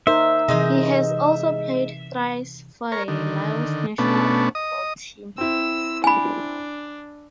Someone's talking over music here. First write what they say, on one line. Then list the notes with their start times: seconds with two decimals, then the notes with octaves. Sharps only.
He has also played thrice for the Laos national football team.
0.07 D#4 A#4 C5 E5
0.48 C3 E3 G#3 D#4 D#5
2.92 A#4 C#5
3.08 D3 D#3
3.98 B2 A3 B3 C#4 D4
4.55 D#5 D#6
5.38 C4 E4 E6
6.04 D4 G#5 B5